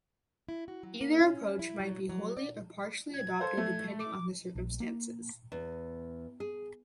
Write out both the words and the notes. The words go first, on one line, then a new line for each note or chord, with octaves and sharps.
Either approach might be wholly or partially adopted depending on the circumstances.
E4
F#4
F#3
A#3
C#4
E4
F#3
F#3
D5
G#6
A4 C5 F5
A3 A4
D6
A#1
A#3
E2
G#4